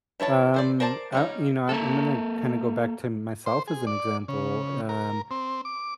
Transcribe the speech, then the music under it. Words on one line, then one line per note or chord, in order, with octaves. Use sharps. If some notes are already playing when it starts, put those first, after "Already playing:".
Um, uh, you know, I'm I'm gonna, kinda, go back to myself as an example, um,
E3 E4 C#5 A5
E3 C5 D5
A#4 C5 D5 A5
G3 C#4 D#4
A#3 A4
C5
G#4
D5
C#3
A#4
C4
D6